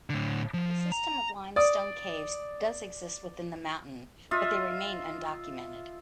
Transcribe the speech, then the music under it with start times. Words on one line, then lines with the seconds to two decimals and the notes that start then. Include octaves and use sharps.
A system of limestone caves does exist within the mountain, but they remain undocumented.
0.10 A2 D3
0.54 F3
0.92 A#5
1.56 D5 D#6
4.31 F4 D#5 E5